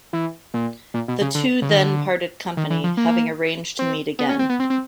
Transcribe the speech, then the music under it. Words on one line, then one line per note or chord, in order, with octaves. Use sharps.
The two then parted company, having arranged to meet again.
E3
A#2
A#2
B2
C#3
D3
C#3
D#3
D3
D#3
E3
F3
A#3
C4
B3
C#4
C4
B3
C4
C4